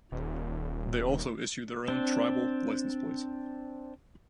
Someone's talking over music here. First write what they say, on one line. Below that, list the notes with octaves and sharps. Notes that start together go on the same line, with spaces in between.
They also issue their own tribal license plates.
D#1
C4 D4